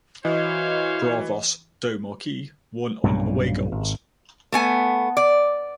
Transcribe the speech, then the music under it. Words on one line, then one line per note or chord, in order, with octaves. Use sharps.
Bravos do Maquis won on away goals.
E3 F#4 C5 C#5 D#5 F5
B1 G2 A#2 C#3
G#1
A3 B3 G#5
D5